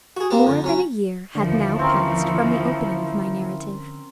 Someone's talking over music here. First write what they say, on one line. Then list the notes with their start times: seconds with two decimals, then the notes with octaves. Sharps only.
More than a year had now passed from the opening of my narrative.
0.17 F#4 G#4
0.31 A#3 C4 G4
0.44 F2 D3
0.64 F#3 C#4
1.35 D#2 D3 F3 E4
1.79 C4 C#4 A#4